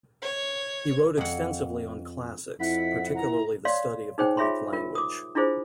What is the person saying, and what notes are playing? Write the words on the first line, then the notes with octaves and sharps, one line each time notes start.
He wrote extensively on Classics, particularly the study of the Greek language.
C#5
F2 F#5
F2 E4 F#5 B6
A#5
C#5 D5 F5 C6
D#4 G#4 C5 C#5 G5
F4 G#4 C#5 E5 B5 C6
F4 A#4
D6 D#6
D4 E4 F4 G#4 C5